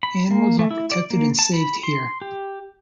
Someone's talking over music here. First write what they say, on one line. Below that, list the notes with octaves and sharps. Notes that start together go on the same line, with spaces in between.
Animals are "protected and saved" here.
B5
A#3
A3
E4
D5
A#3
A5
B5
C6
G4